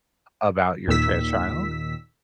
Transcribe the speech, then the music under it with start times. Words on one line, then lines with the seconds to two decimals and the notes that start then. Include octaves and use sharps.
about your trans child?
0.88 D#2 A#2 D#3 E6 B6